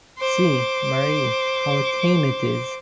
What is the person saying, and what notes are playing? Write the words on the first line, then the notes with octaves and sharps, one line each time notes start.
See, Marie, how tame it is.
C5 D6